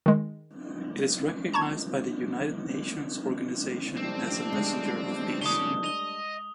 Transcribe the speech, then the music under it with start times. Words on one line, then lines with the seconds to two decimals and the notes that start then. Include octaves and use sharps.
It is recognized by the United Nations Organization as a messenger of peace.
0.06 D#3 G#3
1.53 A5 A#5 C#6 G#6
3.97 G3 A3 C4 D4
4.53 G#3
5.42 C#3 D#6 G7
5.84 D#5 F7 G7